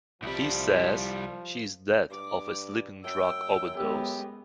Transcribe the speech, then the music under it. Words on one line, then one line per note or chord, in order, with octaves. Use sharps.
He says she is dead of a sleeping drug overdose.
C2 F3 G3
G2 D6
F#2 G5 E6
G#3 B3 G4